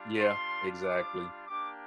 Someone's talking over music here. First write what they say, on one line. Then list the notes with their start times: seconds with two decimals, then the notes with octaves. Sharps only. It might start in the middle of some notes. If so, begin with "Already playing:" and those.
Yeah, exactly.
Already playing: G3 D4 F4
0.19 C6
0.83 D6
1.47 A#3 D4 G4 D6